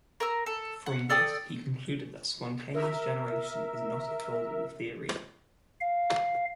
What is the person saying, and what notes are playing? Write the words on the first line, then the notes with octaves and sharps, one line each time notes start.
From this he concluded that spontaneous generation is not a plausible theory.
A#4 A#5 E6
A4
F#5
A4 D5 G5 D#6
A#4 E5
F5